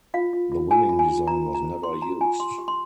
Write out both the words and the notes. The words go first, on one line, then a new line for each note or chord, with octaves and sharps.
The winning design was never used.
F4 F5
F4
F4
F4 G#5
F4
G#5
F4
F4 A#5
F4
A#5
C5
C5 C6
F4 A#5
F4 G#5
G4 C6
G4
C6